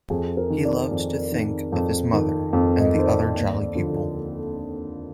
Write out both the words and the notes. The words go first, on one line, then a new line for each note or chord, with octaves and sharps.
He loved to think of his mother, and the other jolly people.
F2 G#4
A#4
D#3
D5
F2
D#3
F2
D#3
F2
D#5
D#3 C5
D5
D#2
D3 F3